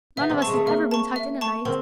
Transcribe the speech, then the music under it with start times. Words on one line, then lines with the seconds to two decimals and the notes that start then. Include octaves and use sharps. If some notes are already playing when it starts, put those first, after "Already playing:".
"None of us has ever been tucked in at night."
0.17 B3 E5
0.30 C4
0.42 G#3 A5 C#6
0.54 A3
0.66 A#3 E5
0.91 A5 C#6
1.16 E5
1.41 A5 C#6
1.65 C4 A#4